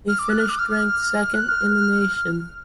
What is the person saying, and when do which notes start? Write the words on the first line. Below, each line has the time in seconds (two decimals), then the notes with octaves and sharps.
They finished ranked second in the nation.
0.08 F6
0.19 D6
0.29 F#6
0.40 F6
0.49 D6
0.59 F6
0.71 F6
1.34 F#6
1.49 F6